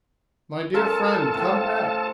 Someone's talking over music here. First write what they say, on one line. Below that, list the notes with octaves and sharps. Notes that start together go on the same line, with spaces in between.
My dear friend, come back!
C#4 F4 A4 A#4 A5
A2 C4